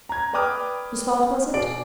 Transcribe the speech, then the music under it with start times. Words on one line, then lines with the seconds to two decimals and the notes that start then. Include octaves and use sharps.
Whose fault was it?
0.09 A#5 G#6
0.33 B4 D5 G5 D6 D#6 F6
1.54 B2 G#4 D5 D7